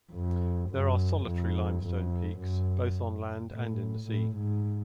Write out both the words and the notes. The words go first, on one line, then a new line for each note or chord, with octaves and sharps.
There are solitary limestone peaks, both on land and in the sea.
F2
F#2
F2
F2
F#2
A2
A2
G#2